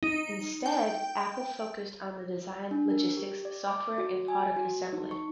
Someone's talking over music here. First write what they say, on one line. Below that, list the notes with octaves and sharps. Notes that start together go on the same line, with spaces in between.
Instead, apple focused on the design, logistics, software and product assembly.
D#4
G5
D4
A#4
G4
D5
D6
F#4
G#5
F#4
D#4
C#6